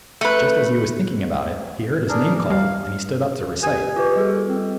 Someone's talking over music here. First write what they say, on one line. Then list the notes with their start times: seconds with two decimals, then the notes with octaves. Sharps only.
Just as he was thinking about it, he heard his name called, and he stood up to recite.
0.21 A3 B4
2.09 D4 G#4 A#4
2.50 G2 F5
3.63 G4 G#5 D#6
3.96 F4 G4 B4
4.16 G3 G#4 A4
4.48 C4